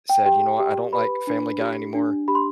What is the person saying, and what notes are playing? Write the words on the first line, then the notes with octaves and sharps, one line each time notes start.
said, "You know what? I don't like Family Guy anymore."
G5
G4 G5
G4
B4 B5
D4
G4
D4
G4 B5
C6